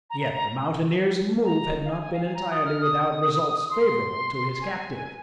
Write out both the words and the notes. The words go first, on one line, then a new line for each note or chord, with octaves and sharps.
Yet the mountaineer's move had not been entirely without results favorable to his captive.
A#5
A#5
A#5
A#5
F5
G#5
G#5
F5
G#5
A#5
D#6
F6
D#6
C6
G#5